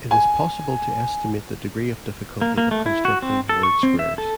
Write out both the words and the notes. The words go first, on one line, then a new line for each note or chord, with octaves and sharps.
It is possible to estimate the degree of difficulty of constructing word squares.
G#5
A#3
A#3
A3
E4
F#4
C4
A4
C#6
C4
E5
A4